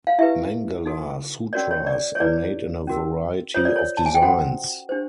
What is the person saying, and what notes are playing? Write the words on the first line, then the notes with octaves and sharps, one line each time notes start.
Mangala sutras are made in a variety of designs.
F5
E4 G4 B4 E5
D#4 F#4 A4
C#4 F#4 A#4 C#5 D5
C#5
D5
C#5
E4 G#4 B4 D5
C#4 F#4 A#4
F4 A4 C5 C#5
D5
C#5
A5
G#5
G5
C#4 F#4 A4 C5 F#5
D4 G4 C5